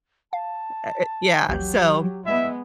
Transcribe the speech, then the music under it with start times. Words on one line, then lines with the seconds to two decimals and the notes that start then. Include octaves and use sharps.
Uh, uh, yeah, so,
0.33 F5 A5
1.49 A1 D#2 F#3 G4 G6
2.25 G#3 B3 E4 D#5 E5